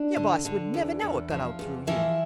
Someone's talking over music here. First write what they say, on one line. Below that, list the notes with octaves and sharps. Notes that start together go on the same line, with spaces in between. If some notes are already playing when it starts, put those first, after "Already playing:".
"Your boss would never know it got out through you."
Already playing: D4
D3
D3
E2
E2
F3
E2
E3 F3 E4